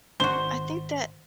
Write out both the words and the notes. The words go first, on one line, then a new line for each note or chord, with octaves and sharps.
I think that
G#1 D#3 D4 F#4 C5 G7